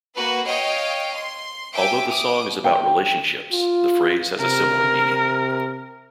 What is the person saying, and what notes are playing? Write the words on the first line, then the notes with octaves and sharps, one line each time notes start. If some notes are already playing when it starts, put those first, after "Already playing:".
Although the song is about relationships, the phrase has a similar meaning.
A#3 F#4 B4
C#5 D#5 F5 G5
C6
E5 G5 G#5 D6
D6 D#6
G5
F4
C3 A#4